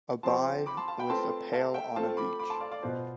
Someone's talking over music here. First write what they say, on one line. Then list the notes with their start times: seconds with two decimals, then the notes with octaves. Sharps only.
A buy with a pale on a beach.
0.23 F3 C4 G4 C5 A5 C6
0.66 B5 D6
0.77 A5 C6
0.88 F5 A5
0.99 G5 B5
1.10 A3 C4 F4 B4 A5 C6
1.53 F5 A5
1.74 E5 G5
1.96 A3 C4 F4 C5 F5 A5
2.17 B5 D6
2.39 B5 D6
2.50 A5 C6
2.60 D5 F5
2.71 D5 F5
2.83 B2 B3 F4 C5